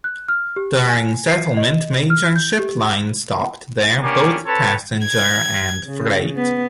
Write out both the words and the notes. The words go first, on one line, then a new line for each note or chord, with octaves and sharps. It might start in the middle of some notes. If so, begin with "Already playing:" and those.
During settlement, major ship lines stopped there, both passenger and freight.
F#6
F6
G4
G#5
C7
D#5
F6
G6
G4
A#3 B3 C#4 D4 G4
C4 A4 B4 C#5 A5
G#6
C#3
B3